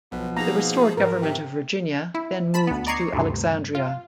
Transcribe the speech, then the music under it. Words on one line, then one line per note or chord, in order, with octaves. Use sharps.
The Restored Government of Virginia then moved to Alexandria.
B1 B2 F3
A#3 D#4 G#4 A#5
F3
G#2 A#4
C3
E4
A5 B5 B6
D2 B3
D5 D#5 A#5 C#6 G#6 C7
D2 G2 C3
F4